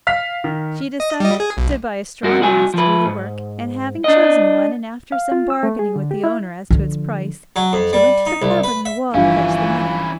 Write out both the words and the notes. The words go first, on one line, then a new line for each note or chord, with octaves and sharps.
She decided to buy a strong ass to do the work, and having chosen one, and after some bargaining with the owner as to its price, she went to the cupboard in the wall to fetch the money.
F5 F6 B6
D#3
D#5
G3 D#5
G#4
B1
G2 F#4 A#4
C2 F#4 G#5
F3 B4
G#2
D4 D#5
F5
F4
E6
A3
G#4
D3
G4
E4
D3 F3
F#3
F2
G3
D#4
C2
B4
E5
G1 G2 E3 F3 C#4 E4 F5